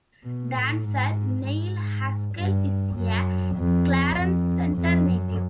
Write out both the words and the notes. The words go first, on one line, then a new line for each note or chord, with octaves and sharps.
Dancer Neil Haskell is a Clarence Center native.
B2
A2
G#2
G#2
G2
F#2
F2
F2
F2
F#2